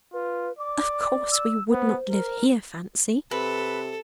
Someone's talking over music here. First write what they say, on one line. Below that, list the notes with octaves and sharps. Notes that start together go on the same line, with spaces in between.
Of course we would not live here, Fancy.
F4 B4
D5 D6
E6
B3 C5
A#4
C3 A4 B4